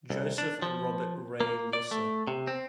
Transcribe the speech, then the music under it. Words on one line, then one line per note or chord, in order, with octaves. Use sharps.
Joseph and Robert 'Ray' Lusse.
C2
D4
F3
A#3
D5
A3
C3
C4